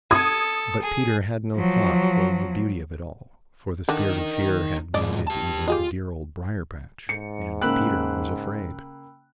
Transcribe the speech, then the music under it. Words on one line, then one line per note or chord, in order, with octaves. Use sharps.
But Peter had no thought for the beauty of it all, for the Spirit of Fear had visited even the dear Old Briar-patch, and Peter was afraid.
A4 D#6 G#6
G#4
F3 F#3
D3 D4 D#4 A#4
B1 G#2 D5 D#5
G4 A5
F4 G4 G#4 D#5
G#2 C#7
C#3 A#3 G5 B5 E6 F#6